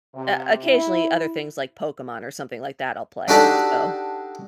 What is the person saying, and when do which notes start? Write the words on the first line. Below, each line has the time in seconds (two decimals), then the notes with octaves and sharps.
uh, occasionally, other things like Pokemon or something like that, I'll play, so
0.14 C3
0.64 E4
3.28 D4 D#4 F#4 G4 A4 D5